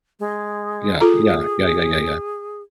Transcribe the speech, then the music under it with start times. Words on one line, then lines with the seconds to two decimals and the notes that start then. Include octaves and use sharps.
yeah, yeah, yeah, yeah, yeah, yeah.
0.20 G#3
1.01 F4 G#4 A4 A#5